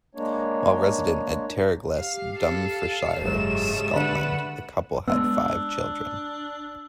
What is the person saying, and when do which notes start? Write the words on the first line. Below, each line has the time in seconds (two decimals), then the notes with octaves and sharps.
While resident at Terregles, Dumfriesshire, Scotland, the couple had five children.
0.15 G#3 A#3 D4 C#5
1.97 G4 F5
2.38 A4 F5
3.22 F#1 G#2 C#3 F#3 A3 G4 E7
3.96 D3 D4 B4 F#5
5.08 G#3 A3 B3 D4 E6